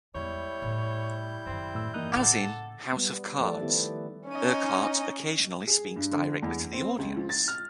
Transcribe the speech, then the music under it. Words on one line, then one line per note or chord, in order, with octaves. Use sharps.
As in "House of Cards", Urquhart occasionally speaks directly to the audience.
E2 G3 G#3 E4 C#5 G6
A2 C#3
F#2 D#3 C4
A2 E6
E3 A#3 D#4 F#6
A2 C#3 A4 F#5 D6
G3 B3
F3 A3 A4 D5
D#3 B3 E4 G4
C#4 D#4 D#5
G#4
G2
D3
E2
C4
C#2
F3
A6
F6